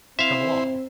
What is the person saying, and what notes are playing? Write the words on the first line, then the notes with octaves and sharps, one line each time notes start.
"Come along."
C4 E4 C5 E5 F5